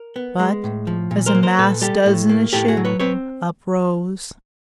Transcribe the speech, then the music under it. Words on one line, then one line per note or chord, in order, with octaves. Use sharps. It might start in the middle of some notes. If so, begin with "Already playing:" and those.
But, as a mast does in a ship, uprose.
Already playing: A#4
B3
G#3
A2
F3
A#2
A#4 C5
A#3
A#4 C5
A#2 A4 B4
G3 G4 A4
A2
A#3
A2 G4 A4
F#4 G#4
F#3
B4 C#5
C4 B4 C#5